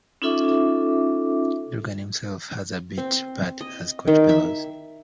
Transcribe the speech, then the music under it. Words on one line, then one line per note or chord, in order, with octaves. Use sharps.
Dugan himself has a bit part as Coach Bellows.
C#4 D#4 F4 A4 E5 D6
C4
D#5
D#3
E5